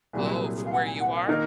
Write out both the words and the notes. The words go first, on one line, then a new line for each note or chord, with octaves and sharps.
Oh, from where you are?
C2 A#2 F#3 G#4
G#4
G#4
G#4
F5
F#5
G#5
F#5
F5
D#3 A#3 D#4 A#4 D#5